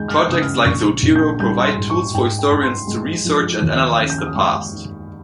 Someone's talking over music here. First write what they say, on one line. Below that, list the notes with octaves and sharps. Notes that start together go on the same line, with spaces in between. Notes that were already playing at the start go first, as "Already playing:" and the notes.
Projects like Zotero provide tools for historians to research and analyze the past.
Already playing: D#2 G#3 D#4 G6
F6
G6
C#3 D#6
F6
A#1 C#6
A#1
G6
G3 G6
C6
G#2
C#6
G#2 G5
G5
G#2
C6
G#3
F3
D#2
C#4
G6
F6
D#6
G#3 C#6
D#3